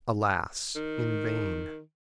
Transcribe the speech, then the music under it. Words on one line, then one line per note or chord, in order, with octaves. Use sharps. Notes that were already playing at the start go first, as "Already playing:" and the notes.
Alas! in vain.
D#3